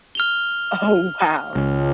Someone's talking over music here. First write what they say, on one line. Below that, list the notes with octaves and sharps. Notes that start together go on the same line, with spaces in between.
Oh, wow.
F6 F7 G7
C#2